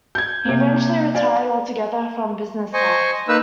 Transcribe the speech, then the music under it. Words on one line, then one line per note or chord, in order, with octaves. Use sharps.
He eventually retired altogether from business life.
G6 G#6
C3 A#3
D5 F5 G#5
C5 D#5 G#5 C#6
A#3 D#4 B4 E6